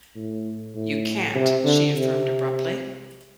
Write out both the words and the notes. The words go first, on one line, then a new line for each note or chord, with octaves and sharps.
"You can't," she affirmed abruptly.
A2
A2
C3
D3
C3